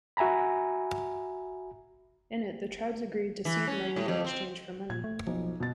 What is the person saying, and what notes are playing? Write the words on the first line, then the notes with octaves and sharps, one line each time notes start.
In it the tribes agreed to cede land in exchange for money.
F#4 E5 G#5 A#5 B5
E3
C#4
A2
F2
C4
A#2 G#6
A3
B1 F3
B2 A6